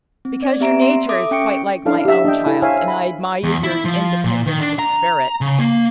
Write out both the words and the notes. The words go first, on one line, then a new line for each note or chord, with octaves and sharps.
"Because your nature is quite like my own, child, and I admire your independence and spirit."
C4
D5
B3 C4 G4 E5 A#5 D7
C6
A4 E5 D6 D#6
C#4 G5 C#6 C#7 D7
C#4 D4 E4 A4 F5
G4 E5
D4 D#5 G5
E4 A4
C5 C#5 E5 F5 G#5
B5
E2
E4
F3
A#2
D#3
D4
A#5
C#3
A#3